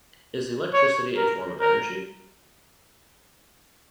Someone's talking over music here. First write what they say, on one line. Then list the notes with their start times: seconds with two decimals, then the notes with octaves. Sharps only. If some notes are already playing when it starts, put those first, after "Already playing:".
Is electricity a form of energy?
0.73 C#5
1.17 A#4
1.61 A#4